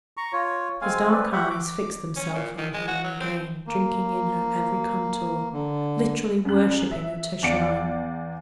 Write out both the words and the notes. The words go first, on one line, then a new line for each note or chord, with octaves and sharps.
His dark eyes fixed themselves on her again drinking in her every contour, literally worshipping at her shrine.
A#5 C#6
F4 C#5
G#3 C4 F5 G#5
C4 A4 B4 D5
F#4 G4 E5 F#5
D6
C#4
A#2
D#3
G#3
F#4
F#3
C4
A#3
D3
F#2 F#6
E5
E2 D5 F5 C#7 D7